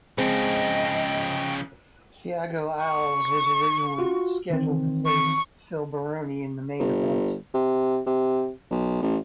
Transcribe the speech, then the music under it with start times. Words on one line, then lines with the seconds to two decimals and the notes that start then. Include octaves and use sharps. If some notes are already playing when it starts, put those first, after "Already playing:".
Thiago Alves was originally scheduled to face Phil Baroni in the main event.
0.18 C#3 F3 G#3 C4 D#5 G5
2.82 C#6
3.98 F4 F#4
4.50 D#3 E3 C4
5.07 C#6
6.79 G1
7.54 C3
8.06 C3
8.70 B1
9.02 A1